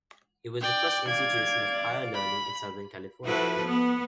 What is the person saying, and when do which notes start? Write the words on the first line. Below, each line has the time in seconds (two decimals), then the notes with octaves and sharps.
It was the first institution of higher learning in Southern California.
0.61 D5 G5
1.08 D5 F5 G#6
2.14 B5
3.25 F3 E4 F#4 A4 B4
3.63 B3